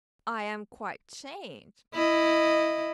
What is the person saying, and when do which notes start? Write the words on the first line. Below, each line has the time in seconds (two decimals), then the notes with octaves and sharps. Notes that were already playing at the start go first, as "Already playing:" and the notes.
I am quite changed.
1.94 E4 D#5